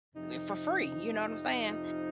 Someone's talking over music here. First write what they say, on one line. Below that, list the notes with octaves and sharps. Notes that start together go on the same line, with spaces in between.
eh, for free. You know what I'm saying?
F2 C3 F3 D#4